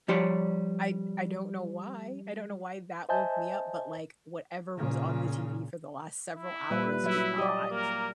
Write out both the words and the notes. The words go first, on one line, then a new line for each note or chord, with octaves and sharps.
I I don't know why I don't know why that woke me up, but, like, whatever was on the TV for the last several hours did not.
F3 G3 G4 C#5 D5 C6
C5 D#5 E5 G#5 A5 G6
A#2 C#3
E4
A#2 G3 B4 E5
F#3 E4 E5
G4 D5 D#5
A#3 A#4